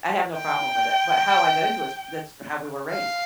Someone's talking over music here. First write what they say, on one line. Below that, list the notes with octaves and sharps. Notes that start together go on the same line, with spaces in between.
I have no problem with it. But how I got into it is that's how we were raised.
G5
F5